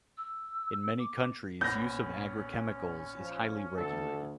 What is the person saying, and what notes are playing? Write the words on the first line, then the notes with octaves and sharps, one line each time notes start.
In many countries, use of agrichemicals is highly regulated.
E6
D6
A#1 B3 C#4 G6 A#6
F3
D2 A4